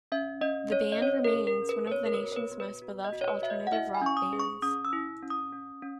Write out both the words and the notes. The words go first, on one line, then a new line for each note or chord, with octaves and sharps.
The band remains one of the nation's most beloved alternative-rock bands.
C#4 E5
C#4 D#5
C#4 C#5
D#5
C#4 C#5
A#4
G#4
A#4
C#4
B4
B4
B3 C#5
A#4
B4
F#4
C#5
B4
B3
B4
F#4
D#5
F#4
C#5
B4
F#4 E5
D#5
F#5
E4 E5
G#5
C#4 C#6
D#6
G#4
C#6
C#4 D#6
E6
E4
C#4
D#6
C#4
C#4